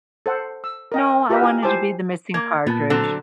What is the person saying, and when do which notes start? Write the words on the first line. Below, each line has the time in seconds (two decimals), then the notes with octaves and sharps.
No, I wanted to be the missing Partridge.
0.26 A4 C5 F#5
0.64 E6
0.92 A#4 D#5 G5
1.29 F4 G4 A#4 B4 D#5 E5
1.42 E4 G#5 A#5
1.63 E4 G4 C5 G#5 A5 D6
2.34 A#3 G#6
2.67 A#2 B3 A5
2.90 D3 F#3 C4 A4